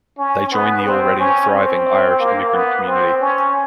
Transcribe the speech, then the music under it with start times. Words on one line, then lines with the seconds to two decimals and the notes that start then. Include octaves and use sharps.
They joined the already thriving Irish immigrant community.
0.18 C#4
0.52 B3
0.85 C4
1.19 C#4
1.52 C4
2.20 A#3
2.53 B3
2.86 C4
3.21 C#4